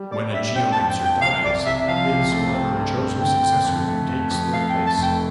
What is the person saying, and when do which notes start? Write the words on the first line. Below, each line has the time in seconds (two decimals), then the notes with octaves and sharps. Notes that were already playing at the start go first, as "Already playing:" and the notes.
When a Geomancer dies, his or her chosen successor takes their place.
Already playing: G3
0.11 G3 D5
0.33 D4 E5
0.55 C4 G5
0.72 A5
0.78 F2
0.89 G5
1.00 F2
1.05 G5
1.21 C2 F5
1.44 C2 D5
1.65 C2 E5
1.88 F3 F5
2.10 C3
2.32 A3
2.54 C4
2.77 G2
2.98 C4
3.20 D3 G5
3.42 D3
3.65 F2
3.87 A3
4.09 F2
4.31 F2
4.53 A3 F5
4.69 G5
4.75 A3
4.86 A5
4.98 F1 G5